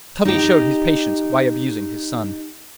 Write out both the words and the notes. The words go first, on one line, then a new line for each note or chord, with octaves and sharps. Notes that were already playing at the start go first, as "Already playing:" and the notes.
Tubby showed his patience by abusing his son.
D#4 G4